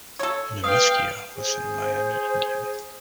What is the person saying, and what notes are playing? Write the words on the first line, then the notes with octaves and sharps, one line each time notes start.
Memeskia was an Miami Indian.
A4 C#5
B4 F5 G5 D#6
G#4 C5